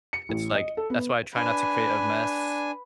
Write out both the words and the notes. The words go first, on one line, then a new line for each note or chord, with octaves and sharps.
it's like that's why I try not to create a mess,
C#7
A1
D#5
A4
B3
D4 B4 G#5